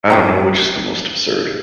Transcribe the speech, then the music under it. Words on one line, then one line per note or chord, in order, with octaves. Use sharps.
I don't know which is the most absurd.
C#4 G5 A#5